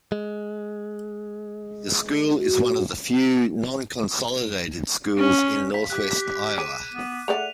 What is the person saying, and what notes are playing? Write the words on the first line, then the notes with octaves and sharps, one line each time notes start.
The school is one of the few non-consolidated schools in northwest Iowa.
G#3
F#4
C#4
F3 B6
G4 F#6
G#4 D6 D#7
B3
A3 G#4 D5 F#5 F7